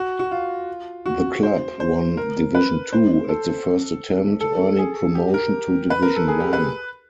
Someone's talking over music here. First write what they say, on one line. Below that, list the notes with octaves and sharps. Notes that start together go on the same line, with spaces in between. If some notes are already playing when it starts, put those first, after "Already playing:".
The club won Division Two at the first attempt, earning promotion to Division One.
Already playing: F#4
F#4
F4
F#4
C5
C5
A#4
B4
C5
A4
A4
G#4
G4
A#4
B4
A#4
A4
G#4
G4
B4